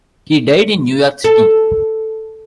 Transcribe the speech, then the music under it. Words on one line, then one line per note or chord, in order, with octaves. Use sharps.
He died in New York City.
A4